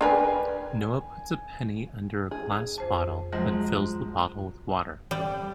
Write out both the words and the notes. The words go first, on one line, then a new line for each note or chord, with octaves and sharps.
Noah puts a penny under a glass bottle then fills the bottle with water.
D4 A#4 B4 G5 G#5
G#4
F2 C5 A5
F3 F#3 G#3
G3